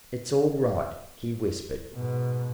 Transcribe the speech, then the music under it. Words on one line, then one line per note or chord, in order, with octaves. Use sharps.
"It's all right," he whispered.
G#2 B2